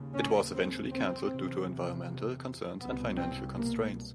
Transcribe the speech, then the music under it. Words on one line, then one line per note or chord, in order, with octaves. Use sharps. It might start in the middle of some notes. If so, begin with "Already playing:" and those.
It was eventually canceled due to environmental concerns and financial constraints.
Already playing: D#2 C#3
C#4
C4
C4
E2 C3
C2 B2 B3
C4
A#3